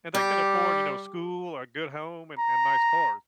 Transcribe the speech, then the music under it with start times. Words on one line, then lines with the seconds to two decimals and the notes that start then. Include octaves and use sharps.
and they could afford, you know, school or a good home and and nice cars.
0.15 G3 G4
2.40 A#5